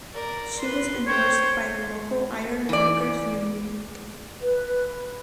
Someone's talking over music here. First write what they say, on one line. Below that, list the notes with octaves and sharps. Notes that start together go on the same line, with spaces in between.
She was endorsed by the local Iron Workers Union.
A#4 D5
B4 C6
C5 C#5 G5
E3 D5
B4